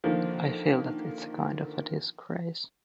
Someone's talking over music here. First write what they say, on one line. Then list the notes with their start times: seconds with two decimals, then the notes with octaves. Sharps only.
I feel that it’s kind of a disgrace.
0.04 D3 D#3 F3 A#3